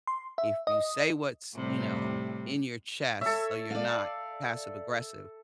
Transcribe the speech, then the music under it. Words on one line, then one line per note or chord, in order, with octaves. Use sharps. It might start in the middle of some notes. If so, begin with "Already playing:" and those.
if you say what's, you know, in your chest so you're not passive aggressive,
C6
E5
D#5
A2 C3 G3
A4 C#5 E5
D5 F5